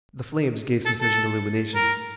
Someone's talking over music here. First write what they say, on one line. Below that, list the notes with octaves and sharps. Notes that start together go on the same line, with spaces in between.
The flames gave sufficient illumination.
A4
A4
A#4